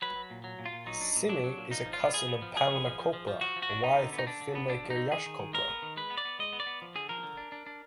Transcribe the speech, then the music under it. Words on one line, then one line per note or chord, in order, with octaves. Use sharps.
Simi is a cousin of Pamela Chopra, wife of film-maker Yash Chopra.
F#3 B4
F#3
A#2
F#3
A#2
F4
A#2
F#3 D#4
D4
A#2
F#3 D4
F#3
A#2
F3 D#4
F3
F4
B3
F3 G#4
B3
F3
F3 G#4
B3
F3
F3
F3
F3
F3 F#4
F3
F#4
D4
B3 D#4
D3
B3
D#4
D3 D4
D3
B3
D3 D4
F3
D#4
D3
D#3 G#4
D#3
D#3
G#3 A#4
B3
D#3
G#3 B4
B3
D5
B3
G#3 D#5
B3
D5
B3
F3
D3 G#4
F3 A#4
D3
D4
D4
D4